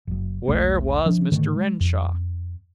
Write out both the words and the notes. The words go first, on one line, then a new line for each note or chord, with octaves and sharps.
Where was Mr. Renshaw?
F#1 F#2
E1 B1 A3
F3 D4
G#2 D3 D#3 A3
G#3
F2